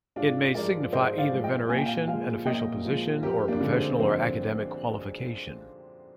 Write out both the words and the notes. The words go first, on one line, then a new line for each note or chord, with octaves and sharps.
It may signify either veneration, an official position or a professional or academic qualification.
G#2 D4 F4
F3 G#3 A#4 D5
G#2 C5 D#5
D5 F5
F3 G#3
D#5 G5
A#2 G#5
G5
F5 G#5
F3 G#3 F5 G#5
A#2 D#5 G5
F3 G#3
F2 G4 A#4
A#3 D4
D3 G#3
C4
F2 C4